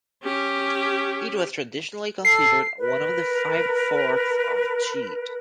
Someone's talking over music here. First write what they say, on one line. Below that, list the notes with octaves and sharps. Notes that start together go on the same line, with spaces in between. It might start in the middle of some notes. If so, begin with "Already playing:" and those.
It was traditionally considered one of the five Forks of Cheat.
C#4 G4
A4 C7
A#4 B4